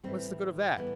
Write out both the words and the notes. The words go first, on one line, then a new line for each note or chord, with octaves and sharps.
What is the good of that?
A2 E3 G3 C4
A2 E3 G3 B3